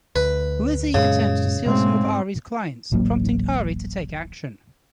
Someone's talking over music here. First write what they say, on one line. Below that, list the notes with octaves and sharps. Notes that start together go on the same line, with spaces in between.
Lizzie attempts to steal some of Ari's clients, prompting Ari to take action.
D2 B4
F#2 A#2 C#3 G#3
G#2 B2 G#3 A3 C4
D1 A1 F#3 A#3